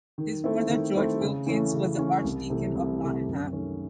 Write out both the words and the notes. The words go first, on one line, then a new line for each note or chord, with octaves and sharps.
His brother George Wilkins was Archdeacon of Nottingham.
D#3
A3 C4 E4
D#3
A3 C4 E4
C#3
E3 A3 C#4
C#3
E3 A3 C#4
C2
C3 E3 A3
C2
C3 E3 A3
F#2
D#3 A3 C#4